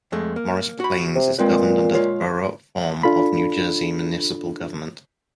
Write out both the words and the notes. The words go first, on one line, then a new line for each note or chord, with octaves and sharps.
Morris Plains is governed under the Borough form of New Jersey municipal government.
F2 G#3 A3
A#3
F#4 B5
C3
A#2 G#3 C4 B4
G#3 F4 C#5
D4 F4 A4 B5